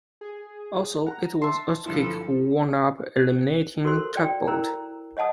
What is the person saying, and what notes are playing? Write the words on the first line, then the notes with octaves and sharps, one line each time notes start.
Also, it was Earthquake who wound up eliminating Tugboat.
G#4
F#5 A#5
E5 A5 C6
D2 G2 F3 E4 A4
C5
F#4 A4 A#4 C5 C6
D5 G5
E4 A#4 C5 A#5
C#5 D#5 F#5 A5 D#6